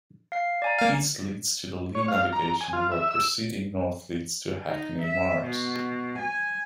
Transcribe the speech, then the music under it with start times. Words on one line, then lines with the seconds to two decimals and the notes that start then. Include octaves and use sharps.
East leads to the Lee Navigation where proceeding north leads to Hackney Marshes.
0.32 F5 C7
0.62 D5 G#5 A#5
0.79 A#3 F5
1.95 C#5
2.08 F5
2.33 A#5
2.61 G#5
2.73 F4
2.92 E5
3.11 E6
4.69 D#4
5.02 E5
5.43 B2
6.18 G#5